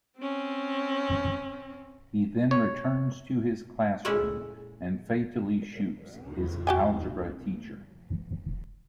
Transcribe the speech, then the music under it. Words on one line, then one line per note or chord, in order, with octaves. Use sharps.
He then returns to his classroom and fatally shoots his algebra teacher.
C4 C#4
C#5
A#2 G#3 C#4 E4 A4 D5
F#4 G5 G#5